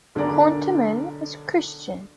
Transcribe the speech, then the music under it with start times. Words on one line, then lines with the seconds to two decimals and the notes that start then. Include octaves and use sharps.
Konterman is a Christian.
0.15 B1 D3 G#4 A#4 D5 A#5